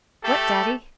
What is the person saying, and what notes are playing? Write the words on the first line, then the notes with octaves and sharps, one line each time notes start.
"What, daddy?"
A3 G4 A4